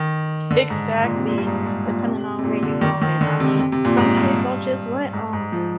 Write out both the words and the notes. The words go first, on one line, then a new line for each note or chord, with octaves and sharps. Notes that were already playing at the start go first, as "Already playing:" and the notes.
exactly, depending on where you're going. I mean, some kids don't just want, um,
Already playing: D#3
D3
G#2
A#2
C3
A#2
G2
G#2
G#2
A#2
C3
C3
A#2
D3
D#3
D#3
D3
C3
C3
C3
A#2
G#2
G2
G#2
G#2
F3